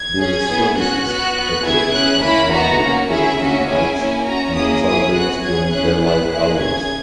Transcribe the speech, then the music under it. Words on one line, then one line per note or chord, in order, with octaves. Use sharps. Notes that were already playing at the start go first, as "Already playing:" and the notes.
These services operate on Monday - Thursday nights and on Saturdays during daylight hours.
Already playing: G#6
C#4 G#4
B3 E4 G#4
C#4 F#4 F#6
B3 F#4
B3 F#4
B3 E4 G#4 G#6
C#4 E4 G#4 F#6
A#3 C#4 E4 B5
B3 D#4 F#4 A#5
A#3 C#4 F#4
C#4 E4 G#4 E5
A#3 C#4 F#4
C#4 E4 G#4 G#5
A#3 C#4 E4
C#4 F#4 A#5
A#3 C#4 E4 G#4 D#6
C#4 E4 G#4 D#6
B3 F#4 F#6
C#4 G#4 G#6
C#4 E4 G#4 F#6
B3 E4 G#4 F#6
A#3 E4 G#4 F#6
C#4 G#4 G#6